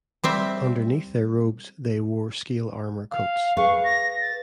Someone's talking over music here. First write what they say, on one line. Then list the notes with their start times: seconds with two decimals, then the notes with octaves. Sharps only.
Underneath their robes they wore scale armour coats.
0.24 G3 C4 E5
3.11 F5
3.57 G#4 B4 F5 C#6
3.84 A#6
4.21 A6